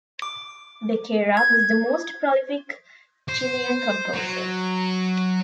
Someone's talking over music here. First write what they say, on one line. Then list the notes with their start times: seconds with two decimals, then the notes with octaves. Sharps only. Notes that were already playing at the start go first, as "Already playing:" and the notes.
Becerra was the most prolific Chilean composer.
0.22 D6
1.37 G#6
3.28 C5
4.14 F#3